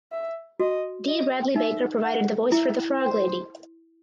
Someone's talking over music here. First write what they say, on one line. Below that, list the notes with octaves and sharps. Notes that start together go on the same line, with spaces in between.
Dee Bradley Baker provided the voice for the Frog Lady.
E5
F#4 D#5
D#5
D#4 E5
F#5
E4 E5
C5